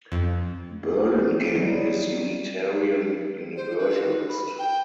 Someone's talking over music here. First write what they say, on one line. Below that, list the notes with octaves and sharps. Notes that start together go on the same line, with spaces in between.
Burlingame is Unitarian Universalist.
F2
F#3 G3 D#4 E4
C5
B4
B5
G5